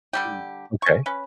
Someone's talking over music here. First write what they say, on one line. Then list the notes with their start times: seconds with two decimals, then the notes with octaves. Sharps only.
Mm, okay.
0.13 D3 G3 G4
0.82 C#4 C#6
1.06 C#4 B4